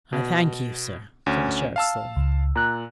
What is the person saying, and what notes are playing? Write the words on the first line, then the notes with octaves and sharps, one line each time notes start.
"I thank you, sir," said the Sheriff slowly.
B2
D2 C#4
F5 A5 E6
C#2
A#2 A#5 F#6